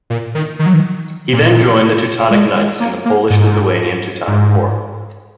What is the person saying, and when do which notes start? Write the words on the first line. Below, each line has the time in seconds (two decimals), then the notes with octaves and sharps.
He then joined the Teutonic Knights in the Polish-Lithuanian-Teutonic War.
0.10 A#2
0.35 D#3
0.59 D#3
0.66 F#3
0.74 D#3
1.33 A#2
2.31 G#3
2.56 G#3
2.80 A#3
3.05 A#3
3.30 G#2
4.27 G#2